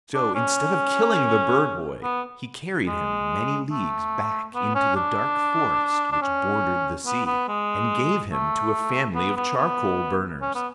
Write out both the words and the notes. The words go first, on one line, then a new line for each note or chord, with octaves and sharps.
So, instead of killing the bird-boy, he carried him many leagues back into the dark forest which bordered the sea, and gave him to a family of charcoal-burners.
D4
C#4
B3
G#3
A3
B3
C#4
D4
D4
C#4
B3
B3
G#3
A3
B3
B3
B3
C#4
B3